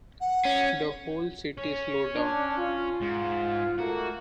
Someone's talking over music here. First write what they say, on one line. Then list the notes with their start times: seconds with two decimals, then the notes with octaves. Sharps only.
The whole city slowed down.
0.21 F#5
0.45 C#4
1.58 C#4
2.15 D4
2.58 F4
3.02 G#2
3.78 A3 A#3 F#4